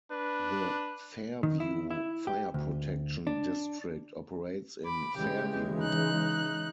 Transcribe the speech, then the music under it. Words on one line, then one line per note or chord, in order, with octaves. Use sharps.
The Fairview Fire Protection District operates in Fairview.
D4 B4
D#3
E4
E4
G4
D2
D4
B5 D6
C#3 E3 G#3 G4
D#4 F#6